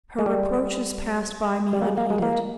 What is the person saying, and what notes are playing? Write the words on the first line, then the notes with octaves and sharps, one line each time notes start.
Her reproaches passed by me unheeded.
G#3
G3
G3
A#3
G#3
A#3
G#3
A#3